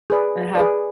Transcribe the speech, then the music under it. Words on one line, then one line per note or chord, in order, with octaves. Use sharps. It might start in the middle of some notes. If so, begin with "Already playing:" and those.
and have
G#4 B4 D5
G#4 B4 D5